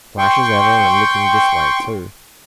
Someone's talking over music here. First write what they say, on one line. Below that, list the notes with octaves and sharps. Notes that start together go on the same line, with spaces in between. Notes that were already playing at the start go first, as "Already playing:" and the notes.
"Flash as ever, and looking this way, too."
G5 C6 C#6